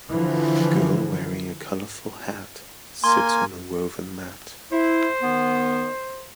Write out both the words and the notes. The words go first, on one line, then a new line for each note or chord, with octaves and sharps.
A girl wearing a colorful hat sits on a woven mat.
D3 E3 F3
A#3 G#5 C6
E4 C5
D#3 B3